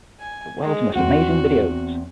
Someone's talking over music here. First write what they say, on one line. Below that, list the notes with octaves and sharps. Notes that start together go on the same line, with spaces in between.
The World's Most Amazing Videos!
G#5
G#3
E2 C4 F#4 F#5